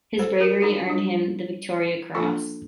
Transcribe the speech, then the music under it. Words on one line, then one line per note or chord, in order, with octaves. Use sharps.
His bravery earned him the Victoria Cross.
A4 C5
G4 A#4
D#4 G4
D4
G3
F3 A#3 D4 F4 A4